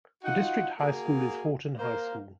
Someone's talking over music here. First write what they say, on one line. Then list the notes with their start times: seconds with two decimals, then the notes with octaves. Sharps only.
The district high school is Horton High School.
0.23 D#4 F4 F#4 F#5
0.78 A#3 F#4 G#4
1.77 A#3 A#4 C5 F5